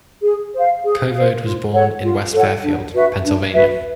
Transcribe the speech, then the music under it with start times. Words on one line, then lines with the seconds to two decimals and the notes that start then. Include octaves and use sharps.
Covode was born in West Fairfield, Pennsylvania.
0.22 G#4
0.53 C5 F5
0.83 G#4
1.12 F5
1.18 C5
1.44 F4
1.72 A4 C#5 F#5
2.03 F4
2.33 A4 C#5 F#5
2.63 D4
2.93 F#4 B4 E5
3.24 D4
3.53 F#4 B4 E5